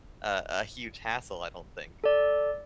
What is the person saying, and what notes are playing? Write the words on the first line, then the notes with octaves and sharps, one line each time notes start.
a a huge hassle, I don't think.
A4 D5